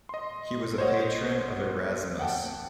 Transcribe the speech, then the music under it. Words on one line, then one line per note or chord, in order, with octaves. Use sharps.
He was a patron of Erasmus.
D#5 C6
C5 C#5 D#5 F#5
F#5 G5 A5